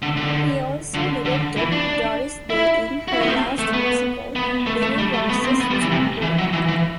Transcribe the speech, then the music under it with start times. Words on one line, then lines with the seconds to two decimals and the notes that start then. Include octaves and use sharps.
He also directed Doris Day in her last musical, "Billy Rose's Jumbo".
0.02 D3
0.17 D3
0.94 D3
1.25 D3
1.57 E3
1.72 D4
2.50 E4
3.08 F#4
3.12 E4
3.22 B3
3.28 C4
3.59 A3
3.73 B3
4.36 B3
4.66 A3
4.82 A3
4.98 G3
5.13 A3
5.29 B3
5.44 C4
5.60 B3
5.70 G3
5.81 E3
5.91 C3
6.22 E3
6.38 F#3
6.53 E3
6.68 E3